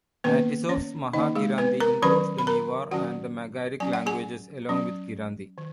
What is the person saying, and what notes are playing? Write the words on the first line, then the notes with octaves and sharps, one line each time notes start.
Matisoff's Mahakiranti includes the Newar and the Magaric languages along with Kiranti.
D#3 A#3 B3 C#4 B4
C#4 C#5
D#3 A#3 C#4 D#4 D#5
G#3 G#4
B3 B4
A#4 A#5
D#3 F#3 C#4 B4 B5
B5
A#4 A#5
D#3 F#3 C#4 F#4 F#5
F#3 C#4 G#5
F#5
G#4 G#5
F#3 C#4
D#3